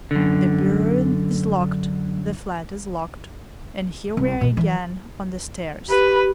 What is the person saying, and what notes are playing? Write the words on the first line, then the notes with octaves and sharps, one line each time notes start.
The bureau is locked, the flat is locked, and here we are again on the stairs.
F#2 D3
C2
B2 G3
E3 F#3
G4 B4